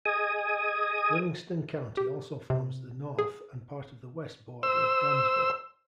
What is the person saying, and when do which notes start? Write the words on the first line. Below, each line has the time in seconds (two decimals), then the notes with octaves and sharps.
Livingston County also forms the north and part of the west border of Dansville.
0.05 G#4 D#5 G#5 D#6
1.97 G4
2.50 C3
3.19 G#4
4.63 C5 E6